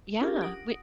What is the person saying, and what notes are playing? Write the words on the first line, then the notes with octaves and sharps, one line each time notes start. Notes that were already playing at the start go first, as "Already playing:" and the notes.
Yeah, we
C#4 D4 F4 G4 G#4 A#4
F#5 D#6 A#6 D7